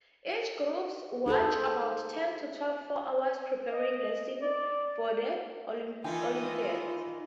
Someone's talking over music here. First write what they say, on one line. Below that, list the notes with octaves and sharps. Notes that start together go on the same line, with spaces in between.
Each group watches about ten to twelve-four hour preparing lessons for the olympiad.
D#4 G#4 A4 C5
D#5
D5
D#3 E3 D#4 F4 D#5 E5 G5 G#5